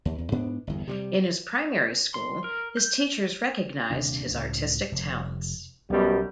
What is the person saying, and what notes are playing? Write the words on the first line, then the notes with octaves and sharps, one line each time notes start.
In his primary school his teachers recognized his artistic talents.
D#2
E2
G#2 B3 D4
G1 E2
C3 F#3 G3
C6
A#4
G6
D#1 C3 D4
C#2 A2
F1
B1 F#2 B2 G3